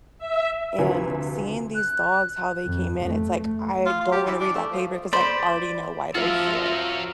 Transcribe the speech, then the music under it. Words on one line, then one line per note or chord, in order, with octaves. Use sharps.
and seeing these dogs, how they came in, it's like, I don't wanna read that paper ‘cause I already know why they're here;
E5
D2 C3 F3 B4 G#5
F#6
F2
A3
F4
F4
G4
E3
D4
A3
F3
C5 D5 B5
F3 F4 F#4 A#4 E5